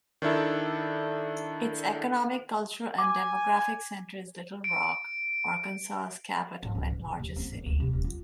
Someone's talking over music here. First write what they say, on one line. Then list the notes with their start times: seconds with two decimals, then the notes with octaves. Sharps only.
Its economic, cultural, and demographic center is Little Rock, Arkansas's capital and largest city.
0.22 D#3 D4 E4 A4
2.98 G#5 D6
4.64 D7
6.63 G#2
6.75 C#2
6.90 G#2
7.04 C#3
7.19 D#2
7.36 C4
7.52 D#3
7.66 D2
7.80 C3
7.93 D#1
8.04 F4